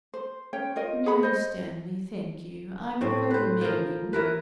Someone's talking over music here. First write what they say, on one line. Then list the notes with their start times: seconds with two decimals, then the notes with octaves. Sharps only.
'No, Stanley, thank you; I prefer remaining.'
0.14 C5
0.53 C#4 C#5 G5
0.76 F4 A#4 D#5
1.06 G#4 F#5 B5
1.23 C5 D#5
3.01 A2 C4
3.31 B4 C5
3.61 F3 A#4
4.13 E3 A#4 B4